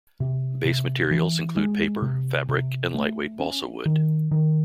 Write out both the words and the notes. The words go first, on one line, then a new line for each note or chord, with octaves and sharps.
Base materials include paper, fabric, and lightweight balsa wood.
C3
C3
E3
G#3
C3
C3
A3
C#4
D#3
D#3